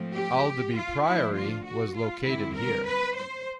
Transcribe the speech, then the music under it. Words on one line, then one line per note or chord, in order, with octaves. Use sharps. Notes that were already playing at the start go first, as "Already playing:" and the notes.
Aldeby Priory was located here.
Already playing: G#2 F3 A3 C4
G4
F4
D3 F3 A3 D4 E4
F4
F#4
F4
D3 G3 C4 E4
A#4
B4
C5